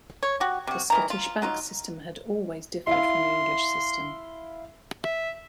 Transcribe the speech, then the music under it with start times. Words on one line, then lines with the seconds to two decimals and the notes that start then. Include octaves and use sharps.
The Scottish bank system had always differed from the English system.
0.23 C#5
0.40 F#4 G4
0.67 C3 F#4
0.90 D#3 E3 A#5
1.10 F4
1.42 F#3 D#4 F4
2.87 E4 E5 F5 C6
5.04 E5